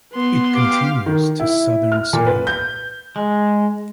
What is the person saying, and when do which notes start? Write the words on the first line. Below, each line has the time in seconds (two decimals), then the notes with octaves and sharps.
It continues to southern Spain.
0.13 B3 C6
0.54 G4 F5 D6
1.06 D#3
1.40 E4
1.92 F6
2.13 A#2
2.27 B4
2.47 G6
3.16 G#3